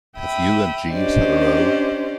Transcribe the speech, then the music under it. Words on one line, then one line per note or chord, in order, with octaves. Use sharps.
Have you and Jeeves had a row?
E5 G5 B5 D#6
C#4 D4 G4 C5 D5 D#5